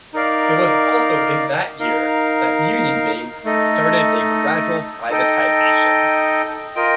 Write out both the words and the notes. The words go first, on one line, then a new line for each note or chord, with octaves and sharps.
It was also in that year that UnionBank started a gradual privatization.
D#4 A#4 D5 F5
D#4 A#4 F5
A3 D#4 A4 D#5
D#4 A4 D#5 G5
F4 A#4 D#5 G5